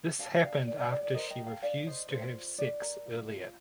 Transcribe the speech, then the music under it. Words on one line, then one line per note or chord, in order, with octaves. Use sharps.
This happened after she refused to have sex earlier.
D4 F5 A5
F5 A5
D4 D5 F5
D4 D5
D5 F5
D4 D5
D5
A#4 C5 D#5
D#5 G5
G4
F5 A5
D4 D5 F5
D4 C5 D#5
D4 C5
F4
D4 D5
A#4
F4
F4